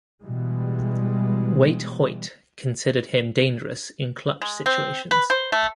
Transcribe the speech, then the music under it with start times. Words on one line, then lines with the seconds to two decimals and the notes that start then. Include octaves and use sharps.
Waite Hoyt considered him dangerous in clutch situations.
0.24 B2 E3 G3 G#3
4.42 G#3
4.66 C4
5.11 B4
5.30 C5
5.52 A3